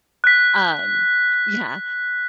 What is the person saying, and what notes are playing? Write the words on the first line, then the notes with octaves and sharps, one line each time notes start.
Um, yeah.
F#6 B6